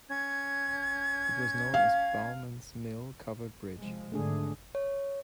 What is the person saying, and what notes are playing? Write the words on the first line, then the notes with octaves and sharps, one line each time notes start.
It was known as Bowman's Mill Covered Bridge.
C#4 G#6
F5
C3 F3 G#3
G#1 D3 A3 D4 G#4
C#5